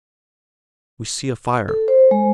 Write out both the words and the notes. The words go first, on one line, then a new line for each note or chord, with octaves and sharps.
We see a fire.
A4
C5
G#3